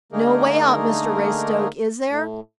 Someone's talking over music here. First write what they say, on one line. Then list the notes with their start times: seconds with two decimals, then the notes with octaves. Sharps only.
"No way out, Mr Raystoke, is there?"
0.12 D3 A3 A#3 D#4 G#4 A#4
2.08 A2